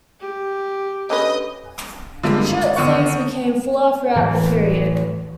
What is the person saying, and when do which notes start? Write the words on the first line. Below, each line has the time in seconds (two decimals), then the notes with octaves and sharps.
Shirt sleeves became fuller throughout the period.
0.21 G4
1.10 D3 C#4 B4 D#5
2.23 D3 F3 G3 G#3 A#3
2.44 G#1
2.76 D3 D#3 B3 F#5 C#6
4.16 A2 E3